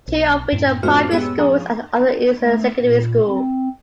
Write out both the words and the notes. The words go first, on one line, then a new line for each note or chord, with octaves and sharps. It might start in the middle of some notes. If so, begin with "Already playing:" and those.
Two of which are primary schools and the other is a secondary school.
B1
F#2 A2 C#4
F2 F3 A3 C4 F#4 F6
G#3 B3 G4 C#5 E6
F3 G#4 A#5 D#6
A3
A#2
C4